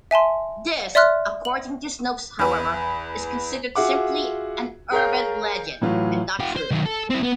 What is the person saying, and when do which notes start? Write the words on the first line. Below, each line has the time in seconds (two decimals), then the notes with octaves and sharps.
This, according to Snopes however, is considered simply an urban legend, and not true.
0.11 E5 G#5 A5 C6
0.95 D5 E5 C6 F6 F#6
1.45 F#7
2.39 E2 B4
3.75 F4 F#4 G#4 E5 F#5 D6
4.92 G#4 A#4 C#5 F5 G6
5.81 A2 E3 F#3 F4
6.40 F4 G4
6.56 C5
6.71 D#3 F#3
6.86 A4
7.10 C4 E4
7.23 B3